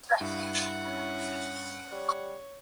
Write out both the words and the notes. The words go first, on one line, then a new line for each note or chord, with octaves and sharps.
It is located in Manthani mandal.
G2 E4 F#5
C#4 C#6
G3 C#5